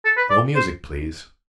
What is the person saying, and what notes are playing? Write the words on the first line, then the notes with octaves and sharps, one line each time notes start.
Slow music, please.
A4
B4
D5
C5